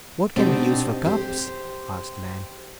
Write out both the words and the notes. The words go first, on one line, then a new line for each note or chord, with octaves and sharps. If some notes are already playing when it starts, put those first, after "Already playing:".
"What can we use for cups?" asked Nan.
B2 C4 D4 D#4 G4
G4 C5